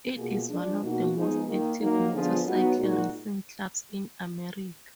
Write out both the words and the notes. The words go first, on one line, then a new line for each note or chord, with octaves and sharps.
It is one of the most active motorcycle racing clubs in America.
B2 A#3 F4 G#4
F3 G#3 D4
B2 A#3 D#4 F#4
F3 G#3 B3 D#4 G#4
D#3 A#3 D#4
F#3 A#3 D#4
D3 F3 B3 F4 G#4
F#3 B3 D#4 F#4
A#2 G#3 D#4 F#4